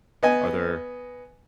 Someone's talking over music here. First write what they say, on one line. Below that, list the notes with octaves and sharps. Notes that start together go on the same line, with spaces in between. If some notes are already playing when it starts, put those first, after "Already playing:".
are there
B3 D#5 G#5